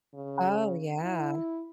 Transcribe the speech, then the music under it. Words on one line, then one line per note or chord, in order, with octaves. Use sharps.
Oh, yeah.
C#3
E4